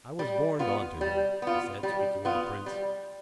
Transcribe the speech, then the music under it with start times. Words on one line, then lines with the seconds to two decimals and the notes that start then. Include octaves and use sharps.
"I was borned on to him," he said, speaking of the Prince.
0.19 G3
0.59 B3 F4
1.01 G3
1.42 B3 F4
1.83 G3
2.25 B3 F4
2.66 G3